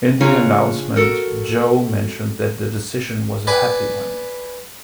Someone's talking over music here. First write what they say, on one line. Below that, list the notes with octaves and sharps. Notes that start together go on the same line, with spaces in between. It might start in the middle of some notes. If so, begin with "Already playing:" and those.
In the announcement Joe mentioned that the decision was a happy one.
C#3 C#4 D4 F4 C#5 A#5
F#4 A4 A#4
B4 D5 G#5 B5